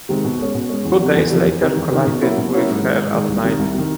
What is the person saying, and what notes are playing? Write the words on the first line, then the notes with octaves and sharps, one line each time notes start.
Two days later collided with her at night.
C3 D#3 G#3 C4
B2
G#3 C#4
B2
G#3 C#4
E2
C3 F3
E2
C3 F3
E2
C3 D#3
E2
C3 D#3
B2
F#3 A#3 C#4 E4
B2
F#3 A#3 C#4 E4
G#2
D#3 G#3
G#2
D#3 G#3
C2
C3 D#3
C2
C3 D#3